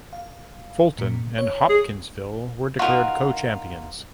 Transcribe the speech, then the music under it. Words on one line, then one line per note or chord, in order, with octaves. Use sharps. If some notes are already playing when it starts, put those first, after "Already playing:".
Fulton and Hopkinsville were declared co–champions.
F5
A#2
C#5
G#4
B3 D#4 F4 F#4 A#4